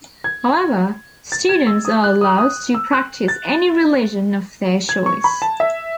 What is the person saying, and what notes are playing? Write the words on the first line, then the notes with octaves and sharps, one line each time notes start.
However, students are allowed to practice any religion of their choice.
G#6
A6
G#6
E6
D#6
F#6
D#6
D#6
E6
F#6
A6
G#6
C#6
B5
A5
E5